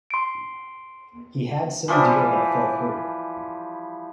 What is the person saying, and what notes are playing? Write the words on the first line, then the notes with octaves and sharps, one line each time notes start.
He had some deal that fell through.
C6 D7
E3 F3 G3